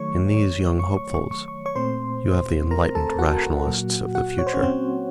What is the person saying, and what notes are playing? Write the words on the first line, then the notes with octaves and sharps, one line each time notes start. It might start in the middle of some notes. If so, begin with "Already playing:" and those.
In these young hopefuls you have the enlightened Rationalists of the future.
Already playing: D#3 F#3 A3 C#5 C#6
C#6
C#6
C#6
C#6
C#6
C#5 C#6
A#2 A3 C4 C5 C6
A#4 A#5
A4 A5
F#4 F#5
A#2 F#3 A#3
F#4 F#5
C#5
C5
C#4 C#5
C4 C5